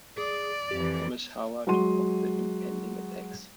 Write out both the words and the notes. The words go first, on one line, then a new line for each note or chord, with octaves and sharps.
Thomas Howard of the impending attacks.
G#4 D5
F2 E3 G4
F#3 G#3 F#4 F#5 C6 D#7